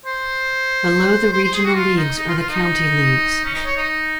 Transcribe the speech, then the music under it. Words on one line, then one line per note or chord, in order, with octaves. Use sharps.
Below the regional leagues are the county leagues.
C5
C5
C5
G#4
F#4
F4
D#4
D#4
F4
F4
D#4
C#4
D#4
C#5
D#4